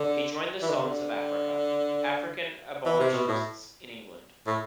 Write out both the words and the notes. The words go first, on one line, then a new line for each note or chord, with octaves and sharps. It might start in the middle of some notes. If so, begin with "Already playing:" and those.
He joined the Sons of Africa, African abolitionists in England.
Already playing: D3
E3
D3
C3
D3
E3
C3
B2
A2
A2